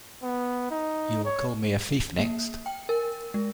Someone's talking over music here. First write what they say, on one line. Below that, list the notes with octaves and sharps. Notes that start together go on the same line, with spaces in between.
You'll call me a thief next!
B3
D#4
C#5
A#3
G5
A#4
G#3